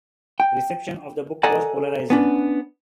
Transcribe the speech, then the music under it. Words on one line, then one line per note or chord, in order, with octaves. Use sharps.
Reception of the book was "polarizing".
G5
A4 D5 D#5 F#5 G#5 A#5
B3 C#4 D4